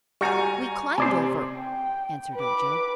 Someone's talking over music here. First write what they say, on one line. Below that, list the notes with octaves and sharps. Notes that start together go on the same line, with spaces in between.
"We climbed over," answered Ojo.
G3 F#4 G#5 A#5 C#6
C3 C5 D5 G#5
G5
B4 D6